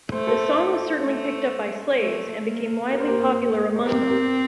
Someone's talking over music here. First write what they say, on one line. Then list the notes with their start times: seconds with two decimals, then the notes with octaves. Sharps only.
The song was certainly picked up by slaves and became widely popular among them.
0.12 A3 C5
0.27 A4 C5
1.05 A3
1.98 A3
2.45 A#3
2.92 A#3 A#4
3.00 C5
3.07 G4 A#4
3.85 C4 G4 A#4
4.09 G4 A#4